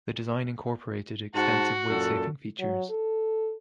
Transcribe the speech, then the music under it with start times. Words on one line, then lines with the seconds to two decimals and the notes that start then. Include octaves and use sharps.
The design incorporated extensive weight saving features.
1.35 G#2 F#4 C5 A5
1.89 F#2 A#2 A4
2.59 F#3
2.90 A4